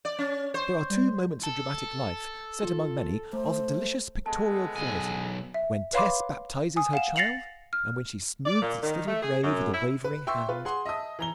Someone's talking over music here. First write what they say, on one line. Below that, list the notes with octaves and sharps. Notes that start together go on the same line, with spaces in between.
There are two moments of dramatic life set among many of delicious pictorial quality: when Tess baptizes her child, and when she smooths its little grave with a wavering hand.
D5
C#4 A6
C5 C#6
G3
A4
F4
A3 C5
G#3 B3 A4 A5
B1 G#5
E5
B4 C#5 F5 B5 C6 D6
G#5 D#6
F5 F#5 E7
A6 A#6 C7 C#7 F7 F#7
F6
D5
A#2
D#3
A3
G#4
F#2
E4
B4
E5 G5 C6 C#6 E6
F4 B4
G#4 F#5 C6
D#5 E5 A5 D#6
E3 A#5 G7